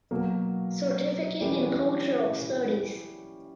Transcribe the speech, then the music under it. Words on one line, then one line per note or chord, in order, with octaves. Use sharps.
Certificate in Cultural Studies.
B2 F#3 A#3
E3 G3 C#4 G4